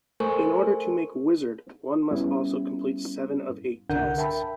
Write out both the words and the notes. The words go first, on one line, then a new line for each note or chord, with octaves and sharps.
In order to make Wizard, one must also complete seven of eight tasks.
A3 A4 A#4 C5 G#5 C#6
G3 B3 C#4 E4
C2 D3 D4 A#4 F#5 G6
A#4 E5 G5 A5 B5